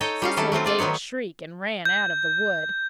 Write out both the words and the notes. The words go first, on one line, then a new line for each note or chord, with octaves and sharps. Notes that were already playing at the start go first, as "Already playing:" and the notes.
Cecily gave a shriek and ran out of the wood.
D#4 A4 C#5 D#5 G5
G3 C#4 F5
D#3 F#3 G3 E4 A4
F#3 A3 C4 F4
D4 F4 D5
D#3 F#3 B3 D#4 C#5
G6